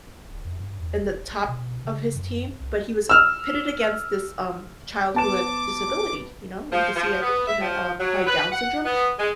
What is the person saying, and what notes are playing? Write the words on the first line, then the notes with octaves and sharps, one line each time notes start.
in the top of his team, but he was pitted against this, um, child who had disability, you know? You could see, I think, he had, um, probably Down syndrome,
D1
F2
G2
E2
E1
G1
B2
C#3
F#2
C2
E6 F6
B3 A5 D6 E7
F3
F3
B3
E5
F3
F#3
B4
F#5
B3
G#3